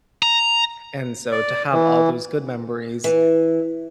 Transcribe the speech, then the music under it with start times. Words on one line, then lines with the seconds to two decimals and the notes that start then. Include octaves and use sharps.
And so, to have all those good memories
0.23 A#5
1.32 D5
1.73 E3
3.04 E3